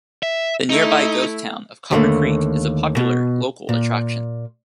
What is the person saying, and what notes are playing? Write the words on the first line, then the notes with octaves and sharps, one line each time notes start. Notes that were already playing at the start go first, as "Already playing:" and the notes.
The nearby ghost town of Copper Creek is a popular local attraction.
E5
A3 D#4 E4
D#2 D3 F3 G3 A3 A#3
B2
A#2